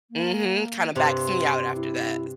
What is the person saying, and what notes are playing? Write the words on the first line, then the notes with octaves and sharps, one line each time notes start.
Mhm. Kinda backs me out after that,
A#3
G2 C3 C6
E4